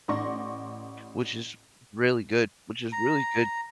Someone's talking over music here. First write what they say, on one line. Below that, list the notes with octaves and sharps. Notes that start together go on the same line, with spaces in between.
which is really good which is really good
A1 D5 C6 C#6 A#6
A#5